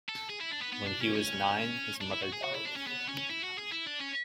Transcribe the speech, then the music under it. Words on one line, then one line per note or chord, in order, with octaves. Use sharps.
When he was nine, his mother died.
A4
G#4
E4
D4
B3
B3
D4
C#4
C#4
D4
E4
F#4
G#4
F#4
E4
D4
C#4
B3
C#4
E4
F#4
G#4
E4
D4
C#4